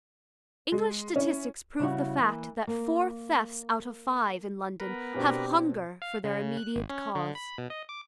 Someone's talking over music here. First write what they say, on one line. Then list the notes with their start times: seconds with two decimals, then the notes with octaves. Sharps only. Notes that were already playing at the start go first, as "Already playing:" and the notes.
English statistics prove the fact that four thefts out of five in London have hunger for their immediate cause.
0.72 G#3
1.16 C#4 E4
1.80 C#3 G3 E4 F#4
2.19 E3 A#3
2.67 A#3
4.80 B3 A#4 B4
5.14 B2 C4 D4 G4
6.02 F5
6.24 C#3
6.57 F#6
6.76 G#1
6.89 C#4
7.15 D3
7.35 B5
7.58 B2
7.70 D#5
7.89 D6